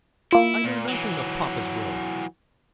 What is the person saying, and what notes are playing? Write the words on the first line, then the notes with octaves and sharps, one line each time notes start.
'I know nothing of papa's will.
A#3 E4 F4
A#2
E3 F#3